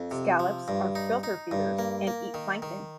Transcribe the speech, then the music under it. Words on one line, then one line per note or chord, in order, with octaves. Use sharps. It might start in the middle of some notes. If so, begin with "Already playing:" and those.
Scallops are filter feeders, and eat plankton.
Already playing: F2
C3
F3
G2
D#4
D#4
G2
A#3
A#3
D#3
D#3